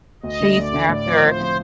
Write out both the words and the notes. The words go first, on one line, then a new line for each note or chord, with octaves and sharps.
chased after,
D2 D#5
D3 A3
D2 D5
D3 A3
A2 D5
F3 C4 F4
A2 C5
F3 C4 F4